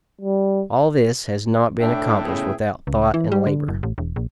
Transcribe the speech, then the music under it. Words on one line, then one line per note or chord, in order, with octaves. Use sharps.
All this has not been accomplished without thought and labor.
G3
A2 D4 E5 G5
C#3 B3 G#4
C#2
E3
G3
D3
F#1
A1
E1
A#1